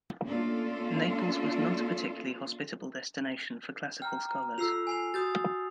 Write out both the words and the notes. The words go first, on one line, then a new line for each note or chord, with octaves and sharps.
Naples was not a particularly hospitable destination for classical scholars.
A3 A#3 C#4 D4 F4 A4
G5 A#5 F6
A#5
F4 A4 E6 C7 F7
G#5 C7 F7
F#4 D#6 G6 A6